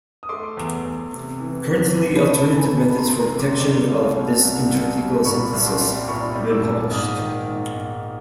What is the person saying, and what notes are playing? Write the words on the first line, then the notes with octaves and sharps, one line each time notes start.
Currently alternative methods for detection of this intrathecal synthesis have been published.
D#6
A3 C6 D6
E2
E2
C3
E3
E2
E2
A5 B5
A3
A5 B5
E3 B5
G#5 A#5
A3 A5 B5
A#5 C6
C3
A#5 C6
C3
C6 D6
G3 C6 D6
C2
C2
C2
C2
C2
A#2 B5 C#6
C2
C6 D6
G3
A#2 B5 C#6
G3
D6 E6
A#2
G#2 D#6 F6
D#3
G#2
G#2